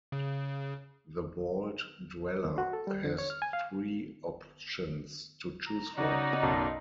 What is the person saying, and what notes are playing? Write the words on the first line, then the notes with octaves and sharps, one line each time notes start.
The Vault Dweller has three options to choose from.
C#3
D#2
F#4
A4
G3
D3
C#5
F6
G#5
F5
A#5
C#3 D#4 F#4 D5
B1 F#2 A5